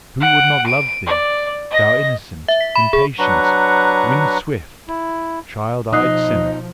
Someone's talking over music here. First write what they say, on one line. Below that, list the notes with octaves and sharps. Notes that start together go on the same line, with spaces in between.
Who would not love thee, thou innocent, impatient, wind-swift, child-eyed sinner!
F#5 D7
D7 D#7
D5
D#5 A#6
E5
B6
B5
G#4
F#3 D4 B4 F#5 A#5 C#6
E4
B2 F3 D#4 D#5 D#6 F#6 C7